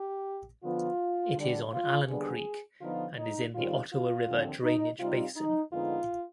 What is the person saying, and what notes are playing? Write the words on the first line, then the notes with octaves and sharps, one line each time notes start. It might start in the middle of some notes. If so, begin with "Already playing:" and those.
It is on Allen Creek and is in the Ottawa River drainage basin.
Already playing: G4
D3 F3 B3 F4
D3 G3 D4
F4
D#2 D3 G3 B3 D4 G#4
D3 F3 B3 D#4 F4
D#4
G#2 D#3 G3 C4 F4
F4
D#2 D3 F3 C4
D#4
C3 G3 C4 D#4 F4
D#4
F2 D3 G#3 B3 D#4 F4